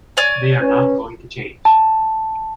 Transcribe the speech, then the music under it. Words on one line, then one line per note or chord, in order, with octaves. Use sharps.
They are not going to change.
C#5 D5 G#5
C#4 B4
A5